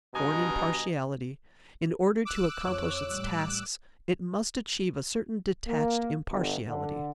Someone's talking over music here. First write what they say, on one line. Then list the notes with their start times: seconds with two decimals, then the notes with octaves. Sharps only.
Born in partiality, in order to accomplish its tasks it must achieve a certain detached impartiality.
0.14 G2 B2 D#5 G#5 A#5
2.25 D6 E6 F#6
2.65 F2 F3 C#5
3.08 A1 G3
5.67 A#3
6.30 G1
6.68 D3